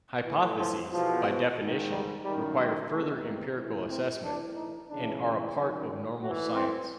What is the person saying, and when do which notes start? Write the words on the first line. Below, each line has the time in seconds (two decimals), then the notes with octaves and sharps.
Hypotheses, by definition, require further empirical assessment, and are a part of normal science.
0.25 A2 E3
0.58 F3
0.91 E2 B2 F3
1.58 G#2 D#3
1.92 G3
2.24 F#2 D#3 G3
2.57 G#3
2.90 E2 C3 D#3 A3
3.23 A#3
3.56 A2 E3
3.90 C4
4.23 A2 E3 D4
4.56 D#4
4.89 E2 C#3 E3 D4
5.55 F#2 D#3 C#4
6.22 A2 E3 F#4
6.55 C4